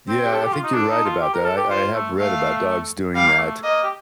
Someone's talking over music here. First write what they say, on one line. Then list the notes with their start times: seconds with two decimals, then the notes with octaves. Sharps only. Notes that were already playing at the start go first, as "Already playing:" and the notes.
Yeah, and I think you're right about that, I I have read about dogs doing that,
0.08 C4
0.24 G4
0.34 A4
0.44 G4
0.53 F4
0.63 D#4
0.73 D4 A4
0.90 D#4
1.05 F4
1.21 G4
1.34 A#4
1.45 A4
1.57 G4
1.70 F4 C5
1.94 A3
2.18 A3 F5
3.15 G3 F5
3.28 A#3
3.39 A3
3.63 A#3 D#5
3.84 G4